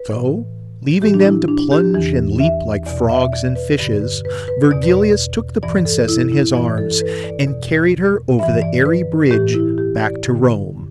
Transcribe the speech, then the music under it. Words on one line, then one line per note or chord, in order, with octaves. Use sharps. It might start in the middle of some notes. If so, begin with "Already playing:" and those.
So, leaving them to plunge and leap like frogs and fishes, Virgilius took the princess in his arms, and carried her over the airy bridge back to Rome.
Already playing: B4
A2 E3
A2 E3 G4
D4
E4
D4
G4
E2 E3
E5
E2 B2 D5
E5
D5
B4
G2 D3 D5
B4
B4
B4
E2 B2 D5
B4
D5
G2 E3 D5
A4
E4
E4
G2 E3 D5
A4
A4
B4
D5
E2 B2 D5
G2 E3 E5
D5
B4
A2 E3 G4
E4
G4
D5
G2 D3